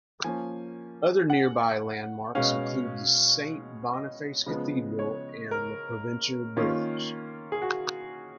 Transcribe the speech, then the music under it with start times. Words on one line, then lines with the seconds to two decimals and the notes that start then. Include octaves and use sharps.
Other nearby landmarks include the Saint Boniface Cathedral and the Provencher Bridge.
0.24 F3 A#3 C#4 G#5
1.30 F#5
2.35 B2 G#3 C#4 F5
3.93 D#5
4.46 C#3 F3 G#3 B3
4.99 C#5
5.51 A#4
6.56 D#3 A#3 C#4 F4
7.52 G#4
7.62 F#4